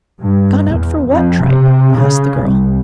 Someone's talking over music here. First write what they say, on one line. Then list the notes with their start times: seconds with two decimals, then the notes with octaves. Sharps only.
"Gone out for what tripe?" asked the girl.
0.19 G2
0.70 E2
1.07 F2
1.41 C3
1.94 C#3
2.39 C2